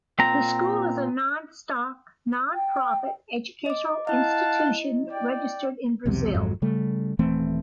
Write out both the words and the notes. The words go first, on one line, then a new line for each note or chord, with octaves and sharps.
The school is a non-stock, non-profit educational institution registered in Brazil.
A#2 C4 A#5
G5
D#5 D6
E4 D#5 F5 F#5 A5
D5 G5
B1 E2 C3
G#1 F2 G#2 F#3
C#3 G3 A3
D#1 E3 A3 C4